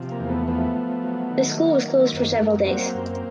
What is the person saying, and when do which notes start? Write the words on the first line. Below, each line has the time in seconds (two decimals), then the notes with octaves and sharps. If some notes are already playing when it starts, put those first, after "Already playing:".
The school was closed for several days.
Already playing: C3 F3
0.11 A#3
0.20 E2
0.29 A3 B3
0.48 F3 A3 B3
0.76 F3
1.03 F#3
1.30 D#3
1.48 A3
1.57 F#3 A#3
1.85 D#3
2.13 F#2
2.40 F#2
2.67 F#3 A#3 C4
2.94 F#2